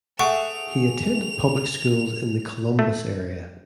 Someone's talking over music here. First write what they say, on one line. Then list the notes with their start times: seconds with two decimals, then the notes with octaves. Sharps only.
He attended public schools in the Columbus area.
0.19 A3 G#4 E5 F#5 C#6 D6 F7
2.79 A3